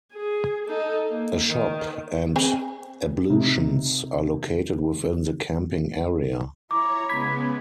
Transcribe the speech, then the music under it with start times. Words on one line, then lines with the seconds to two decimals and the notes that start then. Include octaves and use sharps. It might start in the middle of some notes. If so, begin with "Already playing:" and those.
A shop, and ablutions are located within the Camping Area.
0.13 G#4
0.67 D#4 A4
1.09 A#3
1.46 D#3
2.36 C4 G#4 G#5
3.30 C3 D#4
6.71 E4 C#5 A#5 D6
7.09 C#3 G#3 B3 B5 G#6 B6